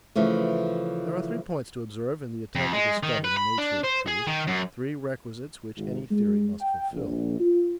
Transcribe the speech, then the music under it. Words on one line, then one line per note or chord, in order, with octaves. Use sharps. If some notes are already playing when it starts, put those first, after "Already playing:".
There are three points to observe in the attempt to discover the nature of truth, three requisites which any theory must fulfil.
C#3 E3 F3 A3
F2
G#3
D#3
B4
B5
D4
C5
G#4
D#3
F#2
G#1
G#3
G5
A#1
F4